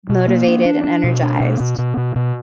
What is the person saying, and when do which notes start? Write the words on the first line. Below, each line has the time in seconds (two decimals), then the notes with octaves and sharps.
motivated and energized.
0.10 B2
0.28 A#3
0.47 D4
0.66 D4
0.84 D4
1.04 B2
1.22 D4
1.40 B2
1.60 B2
1.78 B2
1.97 B2
2.16 B2